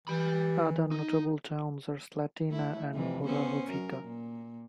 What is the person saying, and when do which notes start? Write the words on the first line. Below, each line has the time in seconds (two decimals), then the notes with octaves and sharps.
Other notable towns are Slatina and Orahovica.
0.08 E3 G4 B5
0.91 D#4
2.50 A3 E4
2.94 F2 C3 E3
3.25 B3 C#4 C5
3.69 F#2 A#4
4.04 A#2